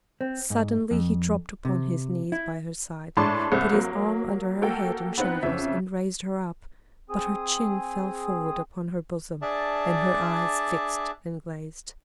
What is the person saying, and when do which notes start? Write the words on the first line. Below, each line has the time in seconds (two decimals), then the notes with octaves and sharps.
Suddenly he dropped upon his knees by her side, put his arm under her head and shoulders and raised her up; but her chin fell forward upon her bosom, and her eyes fixed and glazed.
0.21 C4
0.50 G#2
0.91 F2
1.65 C3
2.32 E4
3.17 A2 G#3 D4 A5 C6 D6
3.52 C2 A4 C5 E6
3.71 F#3 A#3
4.62 A#3 F#4 A4 G5
5.18 B3 C4 D#4 B4 F#5
5.43 F2 C#3 E5
7.10 C4 G#4 D#6
9.42 D4 G#4 D5 E5 A5